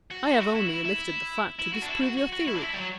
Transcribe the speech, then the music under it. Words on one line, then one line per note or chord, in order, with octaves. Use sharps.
I have only elicited the fact to disprove your theory.
F#4
E4
F#4
E4
E4
E4
E4
F#4
D4
E4
F#4
F#4
F#4
E4
D4
E4
G3
F#3